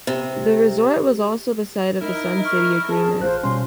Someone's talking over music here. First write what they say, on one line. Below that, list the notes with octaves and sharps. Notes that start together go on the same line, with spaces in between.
The resort was also the site of the Sun City Agreement.
C3
D#4 E4 A#4
C#6 F6
G#4 A5
A1 F4 C5 F#6
B2 G3 C#4 C6